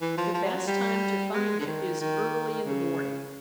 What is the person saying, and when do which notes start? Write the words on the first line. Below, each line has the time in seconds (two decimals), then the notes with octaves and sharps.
The best time to find it is early in the morning.
0.01 E3
0.17 F3
0.34 F3
0.45 F#3
0.57 F#3
0.67 G3
1.33 G#3
1.60 D3
1.66 D#3
2.00 D#3
2.65 C#3